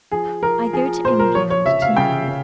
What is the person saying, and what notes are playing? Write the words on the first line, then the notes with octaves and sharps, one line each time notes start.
"I go to England to-night."
F3 G#4
F3 A#4
F3 G#4
A#2 C5
A#4
F3 C#5
C#5
C#3 E5
F5
C#3 G5
C#3